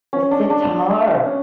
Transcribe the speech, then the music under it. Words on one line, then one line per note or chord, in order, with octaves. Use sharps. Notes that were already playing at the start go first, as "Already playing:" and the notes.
The sitar.
C#4
D4
D4
C#4